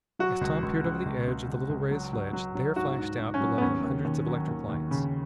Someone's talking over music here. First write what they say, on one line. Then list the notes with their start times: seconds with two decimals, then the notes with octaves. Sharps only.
As Tom peered over the edge of the little raised ledge, there flashed out below him hundreds of electric lights.
0.19 F#3 F#4
0.41 C#2
0.62 C#2
0.83 C#3
1.05 C#2
1.27 C#2
1.48 C#2
1.69 C#2
1.91 F#3
2.13 F#3
2.33 F#3
2.55 F#3
2.76 G#2 F#4
2.98 G#2
3.20 G#2
3.34 C#4
3.41 F#3
3.58 B3
3.62 D#2 C#4
3.84 D#2
4.05 D#2
4.27 F#3
4.48 D#2
4.69 D#2
4.91 C#3